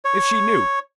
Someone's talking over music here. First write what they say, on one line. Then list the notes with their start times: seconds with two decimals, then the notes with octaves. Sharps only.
If she knew!
0.05 C#5